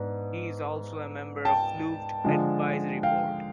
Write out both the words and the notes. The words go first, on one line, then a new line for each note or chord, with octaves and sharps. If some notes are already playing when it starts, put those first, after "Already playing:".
He is also a member of Flooved advisory board.
Already playing: G#2 B3 D4
G5 A5
D3 F3 G#3
F5 G5